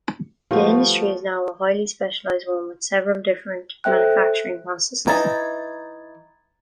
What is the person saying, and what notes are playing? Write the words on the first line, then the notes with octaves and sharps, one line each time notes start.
The industry is now a highly specialized one with several different manufacturing processes.
F3 G3 A3 B3 F4 F#4
A4 C5 E5 G5 F#6
E3 D#4 A#5 G#6 A6